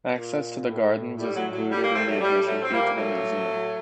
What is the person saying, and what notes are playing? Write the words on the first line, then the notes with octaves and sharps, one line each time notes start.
Access to the gardens is included in the admission fee to the museum.
A#2
A2
A2 G3
F#3
F#3
A2 G3
G3 A#3
A3 C4
F#3 A3
A2 G3
F#3 A3
C4
A#2 G3 A#3
F#3 A3
A2